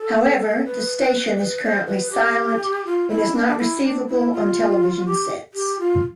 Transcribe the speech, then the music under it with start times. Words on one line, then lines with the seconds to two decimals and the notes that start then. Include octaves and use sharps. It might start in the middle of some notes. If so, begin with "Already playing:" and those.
However, the station is currently silent, and is not receivable on television sets.
Already playing: A4
0.65 B4
1.38 C5
1.41 B4
1.63 D5
1.66 C5
1.86 B4
2.11 G4
2.85 F4
3.09 E4
3.34 D4
3.48 D4
3.59 E4
3.83 D4
4.07 E4
4.32 F4
5.05 G4
5.54 G4
5.79 F4